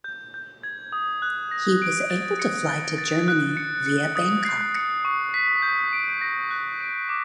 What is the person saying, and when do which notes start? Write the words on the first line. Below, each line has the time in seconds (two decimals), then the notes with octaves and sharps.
He was able to fly to Germany via Bangkok.
0.04 G6
0.34 G6
0.63 G#6
0.92 D#6
1.22 F#6
1.51 A#6
1.82 D7
2.10 A6
2.39 C#7
2.69 A6
2.98 A6
3.28 F#6
3.57 C#7
3.86 C#7
4.16 D#6
4.45 C7
4.75 C#7
5.05 C#6
5.34 B6
5.62 G6
5.93 D7
6.21 A#6
6.51 F#6
6.81 D7
7.09 D6